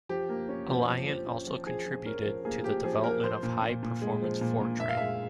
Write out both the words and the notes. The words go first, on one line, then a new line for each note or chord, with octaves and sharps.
Alliant also contributed to the development of High Performance Fortran.
F3 G4
A#3
C#4
F3
F3
F3
C#4
F3
F3 G#4
F3
C#4 A#4
F3
A#3 G#4
F3 G4
F3 G#4
A#3 A#4
F3 C5
A#2
A#2
A#2
G#3
F3
A#2
A#2
A#2 E5
F5
G#3 E5